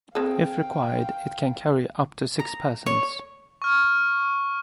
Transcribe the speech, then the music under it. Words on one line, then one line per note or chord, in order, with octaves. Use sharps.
If required, it can carry up to six persons.
C4 G#4 A4 F5 G5
A#5
C#5
C#6 F6